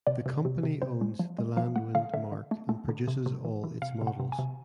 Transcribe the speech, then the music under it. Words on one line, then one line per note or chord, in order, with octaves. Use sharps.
The company owns the Landwind marque and produces all its models.
C3 D5
C3
C3
C3
C3 C5
G#3
F3
G#3
F3 F5
A3 F#5
D3 F5
D3 E5
D3
A3
A3
D3
C3
C3
E3
E3
C3 F5
C3
F#5
C3
G#5
C3